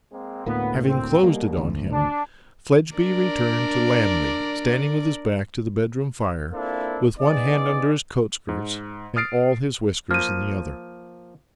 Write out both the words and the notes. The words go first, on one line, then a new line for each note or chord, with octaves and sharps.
Having closed it on him, Fledgeby returned to Lammle, standing with his back to the bedroom fire, with one hand under his coat-skirts, and all his whiskers in the other.
G#3 A#3 C4
D2 A2 A#3 B3
C4
D#2 G#2 B2 G3 A#3
G#1 D2
D4
D4 A#4 D5
A#3 C4 D4 E4 F4 A4
B3 D#4 G#4 D5
G#2
D#6 F6 A6 C7 D7
F3 A#3 F6 D#7